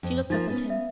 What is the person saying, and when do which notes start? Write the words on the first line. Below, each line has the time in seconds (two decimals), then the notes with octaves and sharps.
She looked up at him.
0.03 F2
0.30 F3 A#3 D#4 A6
0.50 B3 C#4
0.70 E5 F5